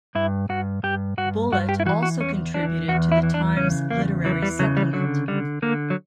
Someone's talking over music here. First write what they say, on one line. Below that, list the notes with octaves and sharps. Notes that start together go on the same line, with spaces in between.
Bullett also contributed to the Times Literary Supplement.
G2 E4
G2 F#4
G2 G4
G2 F#4
G2 F#4
G4
E4
E3 F#4
F#4
E2 C#4
E3 D4
E2 F#4
E4
E3
D4
C#3 C#4
E2 A#3
E3 F#3
G3
C#3 F#3
G3
D3 F#3
D3 G3
D3 A#3
F#3